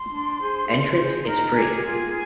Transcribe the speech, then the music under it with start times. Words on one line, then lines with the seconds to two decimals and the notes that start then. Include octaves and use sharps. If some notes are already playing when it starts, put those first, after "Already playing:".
Entrance is free.
Already playing: C6
0.09 D4
0.38 G#4 C5
0.66 D4
0.96 G#4 C5
1.26 D#4 A#4 A#5
1.55 G4 G#4 A#4 G#5
1.84 F4 G#4 G#5